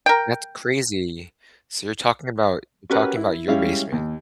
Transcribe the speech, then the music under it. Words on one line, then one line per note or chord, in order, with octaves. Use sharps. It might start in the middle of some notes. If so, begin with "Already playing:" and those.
That's crazy. So you're talking about you're talking about your basement?
A#4 G5
C#4 F#4 G4 A#4 B4
E4
G3 G#3 C#4 E4 E5 F5
D#2